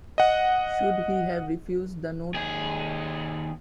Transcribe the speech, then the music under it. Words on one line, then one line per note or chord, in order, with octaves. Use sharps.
Should he have refused the note?
D#5 F#5
D#2 G#4